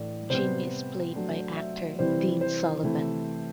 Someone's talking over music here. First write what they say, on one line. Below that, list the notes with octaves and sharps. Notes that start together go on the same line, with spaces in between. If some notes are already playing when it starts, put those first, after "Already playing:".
Jimmy is played by actor Dean Sullivan.
Already playing: A2 E3 A3 D4 D5
C3 G3 B3 C5
F#3 A3 D4
E5
C3 E3 G3 C4 E4 C5
C5
C3 E3 A3 E4